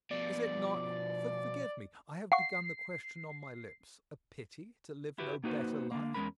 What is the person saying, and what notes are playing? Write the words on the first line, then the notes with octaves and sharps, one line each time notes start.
"Is it not--forgive me; I have begun the question on my lips--a pity to live no better life?"
B2 F3 D5
F5 F#5 C#6 C7
E4 F#4 G4 B4
A#3 D#4 F#4 G#4 B4 C5
D3 A#3
E2 G#3 C#4 A#4 B5